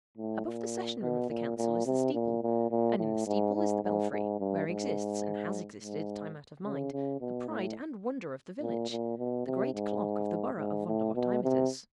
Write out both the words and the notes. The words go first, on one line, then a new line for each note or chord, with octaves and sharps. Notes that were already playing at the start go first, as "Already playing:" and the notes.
Above the session-room of the Council is the steeple, and in the steeple is the belfry, where exists, and has existed time out of mind, the pride and wonder of the village--the great clock of the borough of Vondervotteimittiss.
A2
A#2
B2
A#2
A#2
C3
A#2
A#2
A#2
A2
G#2
G#2
G#2
G#2
G2
G#2
G#2
C#3
C#3
B2
A2
A#2
A#2
B2
C3
G#2
G#2
A2
B2
C3